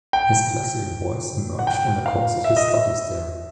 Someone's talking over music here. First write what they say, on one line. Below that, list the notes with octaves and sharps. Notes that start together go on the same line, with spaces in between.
His classical voice emerged in the course of his studies there.
G5
F#5
G5
F5
E5
D#5
E5